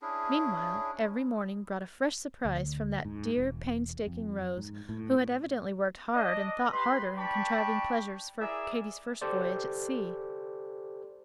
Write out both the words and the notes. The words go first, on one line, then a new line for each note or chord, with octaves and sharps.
Meanwhile, every morning brought a fresh surprise from that dear, painstaking Rose, who had evidently worked hard and thought harder in contriving pleasures for Katy's first voyage at sea.
C#4 D4 E4 G#4
D2
G#2
E1
F2
G#2
A2
D4 D#5
G4 B4 B5 C6
D4 G5 A5 B5 C#6
E4 G#4 A#4 D5 E5
G4 A4 C5 D5